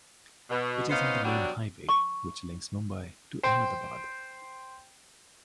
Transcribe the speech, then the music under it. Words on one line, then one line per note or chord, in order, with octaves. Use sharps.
It is on the main highway which links Mumbai to Ahmedabad.
B2
B3 C#4 D#4 C5 F5
B2 F#3 G3 D4 F#4
C#6
C5 G5